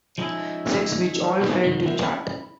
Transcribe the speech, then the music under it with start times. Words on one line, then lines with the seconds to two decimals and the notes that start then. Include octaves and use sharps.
Sex, which all failed to chart.
0.18 F3 G#3 B3 C#4 D#4 E4
1.41 B3 D#4
1.64 F#2 C3 D#3 G3
1.86 D2 G3 C4 A#4 E5 F#5
2.01 C#4 E4 A#5 B5